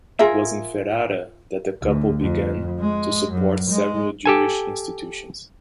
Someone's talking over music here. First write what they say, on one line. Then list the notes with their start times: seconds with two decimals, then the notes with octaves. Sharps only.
It was in Ferrara that the couple began to support several Jewish institutions.
0.19 F4 G#4 A#4 E5
1.82 D2
2.21 F2
2.79 G#3
3.32 F#2
3.70 G#3
4.26 G4 A4 G#5